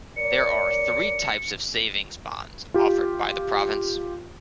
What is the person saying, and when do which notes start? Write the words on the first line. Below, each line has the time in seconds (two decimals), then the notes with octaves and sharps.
There are three types of savings bonds offered by the province.
0.17 A#4 C#5 D5 C#7
2.74 F4 G4